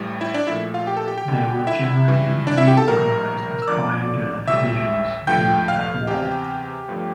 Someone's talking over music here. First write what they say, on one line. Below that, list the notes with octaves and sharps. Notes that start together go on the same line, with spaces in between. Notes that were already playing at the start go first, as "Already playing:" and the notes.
They were generally reorganized as triangular divisions during that war.
Already playing: A1 A2 G3
E4 E5
D4 D5
A#1 A#2 F3 A3 E4 E5
F4 F5
G4 G5
A4 A5
G4 G5
G4 G5
D2 D3 G3
E4 E5
G2 E3 G3
D4 D5
E4 E5
G4 G5
A4 A5
A#1 A2 G3 A#4 A#5
E6
G1 F2 D3 F3 A3 D5 D6
A1 A2 G3 E5 E6
G2 F3 A3 G5 G6
F5 F6
E2 C3 E3 G4 G5
G1 G2 F3 A3